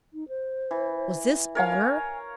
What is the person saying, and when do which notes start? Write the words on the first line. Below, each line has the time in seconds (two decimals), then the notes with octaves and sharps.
Was this honor?
0.13 D#4
0.29 C5
0.71 E3
1.55 A#4 C#5 F5 G#5